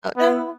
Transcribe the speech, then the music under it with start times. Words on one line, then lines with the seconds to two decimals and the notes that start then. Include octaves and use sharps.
Oh, no.
0.17 B3